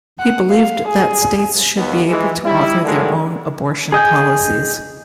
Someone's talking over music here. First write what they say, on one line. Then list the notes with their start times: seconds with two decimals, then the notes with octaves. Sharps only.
He believed that states should be able to author their own abortion policies.
0.20 F#5
0.50 F5
0.88 G#4
1.77 D#2 B3
2.09 E3 G#3
2.45 G3 E4
2.85 G2 D3 D#3 F#3 G#3 A3
3.92 G#4 D#5 G5 G#5